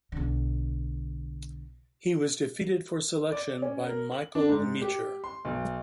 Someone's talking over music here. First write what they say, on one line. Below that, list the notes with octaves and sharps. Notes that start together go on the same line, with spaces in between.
He was defeated for selection by Michael Meacher.
B1 D3
D5
C#4
A#4
F#7
D4
G#2
G4
C6
B1